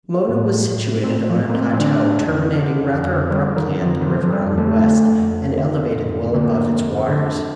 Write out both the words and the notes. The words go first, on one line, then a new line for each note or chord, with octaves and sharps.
Mona was situated on a plateau terminating rather abruptly at the river on the west, and elevated well above its waters.
A2
A2
A2 C4
F3
A2
A#3
C4
C4
D3 D4
F2
D3
F2
D3 G3
D#3
F2
F3
D#3
D3 F3
F3
G3
F2
A3
D3
F2
D3
F2
D3 A#3
F2
D3